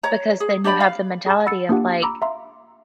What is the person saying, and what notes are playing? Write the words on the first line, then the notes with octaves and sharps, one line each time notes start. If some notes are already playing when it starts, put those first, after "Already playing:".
because then you have the mentality of like,
C#5 A#5
G#4
D4 G4 D5 B5
F5
G#4 A5
F#5 B5 E6 A6 C#7
A#3 D4 F4 G4 F#5
A#5 B5 D6 E6
E5 F5 A#5 C6